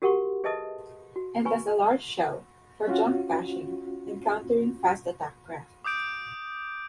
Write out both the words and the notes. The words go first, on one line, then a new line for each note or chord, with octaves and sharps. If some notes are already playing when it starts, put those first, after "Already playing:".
And as a 'large shell' for junk bashing and countering fast attack craft.
F#4 G4 A#4 F#5 C6 C#6
G#4 B4 D#5 E5 A5 D#6
F#4
B4 G#5 B5 C#6
C#4 F4 F#4
D6 D#6 G6 D7